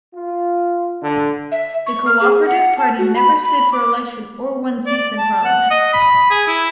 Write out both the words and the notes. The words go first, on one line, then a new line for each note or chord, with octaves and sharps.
The Co-operative Party never stood for election or won seats in Parliament.
F4
D3
E5
C#6
F6
G#4
F#5
A5
F#4
B5
B5
D6
D5
A5
F#5
D#5
B5
G#4
E4